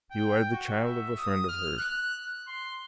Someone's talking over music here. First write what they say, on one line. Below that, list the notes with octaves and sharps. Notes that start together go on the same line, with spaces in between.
You are the child of a friend of hers.
G5
F#4
E5
D#6
F6
F#6
C6